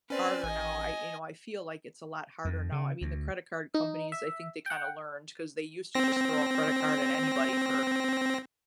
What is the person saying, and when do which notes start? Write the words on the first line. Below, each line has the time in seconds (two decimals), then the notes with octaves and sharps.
harder now, I you know, I feel like it's a lot harder now, I mean, the credit card companies, I think they kinda learned 'cause they used to just throw a credit card at anybody for
0.10 C4 C#4 B4 D5
0.44 A1 D#5 G#5
2.45 F2
2.72 C#3
3.01 D2
3.74 D#4
4.12 E5
4.66 F#5 G5
5.95 C4 A#6